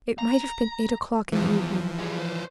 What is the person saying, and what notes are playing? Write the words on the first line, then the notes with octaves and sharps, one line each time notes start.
It might have been eight o'clock in the evening.
A#5
E2 E3 F3
G3 G#4
B4 C5